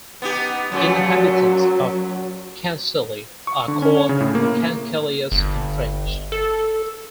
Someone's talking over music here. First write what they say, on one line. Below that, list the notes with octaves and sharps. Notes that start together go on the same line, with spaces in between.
Inhabitants of Cancale are called "Cancalais" in French.
B3 D#4 G4
F#2 A#2 F#3 A3
C#6
D3
C#4
C#5
C#3
A2
A#3
G1
A4